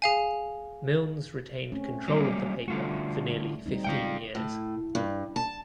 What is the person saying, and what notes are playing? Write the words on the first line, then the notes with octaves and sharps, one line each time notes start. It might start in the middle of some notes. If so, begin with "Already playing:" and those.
Milnes retained control of the paper for nearly fifteen years.
G#4 F5 G#5
A3 C4 C#4
F#3 G3 A#3
D3 G3 A3 F4 F#4
G3 C4 D#4
C#3 G#3 F4 F5 G5
A2
G2
A5